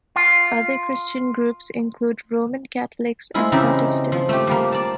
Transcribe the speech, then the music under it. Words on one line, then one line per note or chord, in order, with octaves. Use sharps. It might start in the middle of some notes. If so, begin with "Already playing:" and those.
Other Christian groups include Roman Catholics and Protestants.
F4
F3 G#3 E4 F4
C#3 E3 C4 D#4 G4
F3
A3 G4
F3 G3 A#3
D5 A5